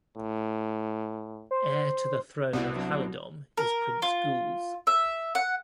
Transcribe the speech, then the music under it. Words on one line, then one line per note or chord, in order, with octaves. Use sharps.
Heir to the throne of Halidom is Prince Gules.
A2
C5
C2 B2 B3 C4 E4
F#3 D4
A#4
F4
E5
F#5